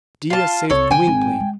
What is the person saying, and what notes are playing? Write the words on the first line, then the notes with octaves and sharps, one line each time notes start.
Dea saved Gwynplaine.
F4 A5
C2 A4 C#5
D3 G5 G#5
G#1
G#3